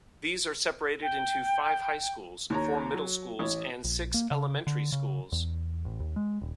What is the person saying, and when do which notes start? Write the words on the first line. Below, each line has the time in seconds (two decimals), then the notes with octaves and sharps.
These are separated into five high schools, four middle schools, and six elementary schools.
1.02 G5
2.50 D#2 C#5 A#5
2.94 F#3
3.39 A1 C#5
3.84 A#1
4.14 A#3
4.31 C#3
4.67 D3
4.92 C#3
5.32 E2
5.85 A1
6.00 D#2
6.16 G#3
6.42 D#1